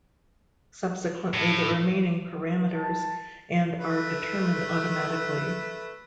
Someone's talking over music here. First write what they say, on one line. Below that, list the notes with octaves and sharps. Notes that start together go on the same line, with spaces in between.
Subsequently, the remaining parameters and are determined automatically.
A2
A5
A3 B4